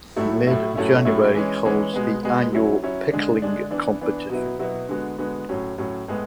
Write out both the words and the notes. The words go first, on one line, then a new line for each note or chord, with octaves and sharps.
Mid-January holds the annual Pickling Competition.
A2 F#3 A3 E4
A2 F#3 A3 E4
A2 F#3 A3 C#4 E4
A2 F#3 A3 C#4 E4
E3 G#3 C#4
E3 G#3 C#4
B2 G#3 B3
B2 G#3 B3
F#3 C#4 E4
F#3 C#4 E4
D3 G#3 D4
D3 G#3 D4
E3 B3 D4
E3 B3 D4
B2 F#3 B3 E4
B2 F#3 B3 E4
D3 G#3 B3 F#4
D3 G#3 B3 F#4
A2 F#3 C#4
A2 F#3 C#4
A2 G#3 B3